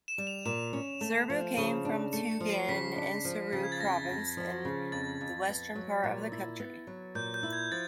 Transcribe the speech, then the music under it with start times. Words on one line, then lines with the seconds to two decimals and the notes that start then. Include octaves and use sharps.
Zerbo came from Tougan in Sourou Province in the western part of the country.
0.08 E7
0.18 G3
0.27 F7
0.45 A#2 E7
0.73 C#4
1.01 A3
1.30 F3
1.57 C#3
1.85 D4
2.13 A3 C#7
2.32 C#7
2.40 F3
2.50 C7
2.68 C#3 B6
2.96 D4
3.25 F3
3.52 C#3
3.64 G#6
3.72 A6
3.80 F2 A#6
4.08 F2
4.37 F3
4.65 C#3
4.92 F2 A6
5.21 F2
5.49 B3
5.75 F#3
6.04 A#2
6.32 E4
6.60 B3
6.87 F#3
7.15 A#2 G6
7.34 G6
7.43 E4
7.53 G#6
7.72 F3 A6